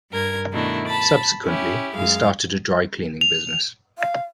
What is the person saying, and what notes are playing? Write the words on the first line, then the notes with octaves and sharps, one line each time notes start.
Subsequently, he started a dry-cleaning business.
G2 A#4 G#6
B2 D#3 A3 D4 E4
A5 B5 A6
C#4 E4 G4
F#2 G#3 F5
F7
F5